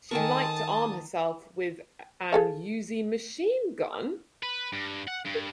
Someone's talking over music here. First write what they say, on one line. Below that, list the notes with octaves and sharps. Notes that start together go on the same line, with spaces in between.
She liked to arm herself with an Uzi machine-gun.
D#3 A4 A#4 G#5 A5 C#6 D#6
G#4 A4 F5
B4
G2
F#5
G2